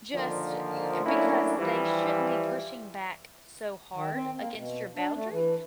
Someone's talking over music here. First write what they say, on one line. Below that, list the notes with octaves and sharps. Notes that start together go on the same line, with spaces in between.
Just y because they shouldn't be pushing back so hard against your boundary,
A#2 D3 D#3 F3
F#3 A3 A#3 C#4 D4 E4
E3 F3 G3
D#3
C4
A#3
B2
D4
A3
E3